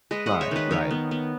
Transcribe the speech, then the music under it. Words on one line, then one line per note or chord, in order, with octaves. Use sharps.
Right, right.
G#3 B4 D#5
G#3 D#5 F#5
C#5 E5
D#3 B4 D#5
D#3 A#4 C#5
B3
B3